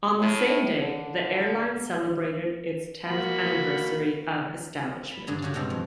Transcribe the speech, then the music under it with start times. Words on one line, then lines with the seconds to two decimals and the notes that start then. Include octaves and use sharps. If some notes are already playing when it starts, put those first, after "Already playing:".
On the same day, the airline celebrated its tenth anniversary of establishment.
0.19 A2
0.76 D3
3.06 A#3 F#4 B5
5.12 B5
5.27 G2 D3 G#4 A#5
5.42 C#3 D4 F#4 G4
5.54 G2 B2 G3 G#3 C4 A#5
5.70 F2